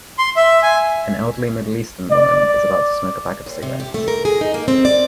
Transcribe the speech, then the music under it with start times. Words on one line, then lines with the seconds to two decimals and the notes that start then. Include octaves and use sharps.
An elderly middleeastern woman is about to smoke a pack of cigarettes.
0.19 C6
0.36 E5
0.63 G#5
2.12 D5
3.46 D#2
3.62 C3
3.80 G4
3.94 A3
4.08 A#4
4.25 G#4
4.41 D#4
4.54 A#3
4.68 C4
4.85 D5